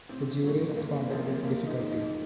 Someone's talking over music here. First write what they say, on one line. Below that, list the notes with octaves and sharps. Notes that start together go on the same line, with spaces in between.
The jury responded with difficulty.
A1 C4
A2 F#3
F#1 A#3
A#3
F#2 C#3 F3 C4
F#1 A#3
D#4
F2 D#3
D#4